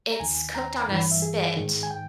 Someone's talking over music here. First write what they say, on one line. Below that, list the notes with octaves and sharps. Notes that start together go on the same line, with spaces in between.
it's cooked on a spit,
A#5
D#2 D#3 G#5
A#5
G2 E3 B5
E5
G#4
G#2 D#3
G#5
G5